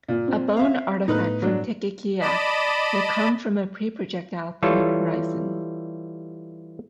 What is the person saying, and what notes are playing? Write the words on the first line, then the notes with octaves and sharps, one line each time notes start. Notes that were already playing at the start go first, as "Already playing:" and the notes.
A bone artifact from Tequixquiac may come from a pre-projectile point horizon.
A#2
C4
E5 F5
A2 B3 D#4 B4 F#6
F#3 D4
D5 D#5 A5 B5
E3 G3 F4 A4 C#5